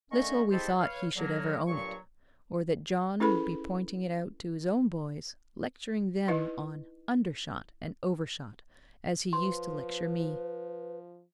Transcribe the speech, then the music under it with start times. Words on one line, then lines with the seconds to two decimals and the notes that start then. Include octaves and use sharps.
Little we thought he should ever own it, or that John would be pointing it out to his own boys, lecturing them on "undershot," and "overshot," as he used to lecture me.
0.11 D3 D#3 A3 C#4 A#5 C#6
0.51 G#3 C4 E4 G4 A4 C5
0.79 B4 C#5 F5
1.16 D3 F#3 A#3
1.67 G2 A#2 F#3 C#6
3.20 C#4 E4 G#4 A4 B4 B5
6.28 D#4 E4 B4 D#5
9.33 F3 B4 C6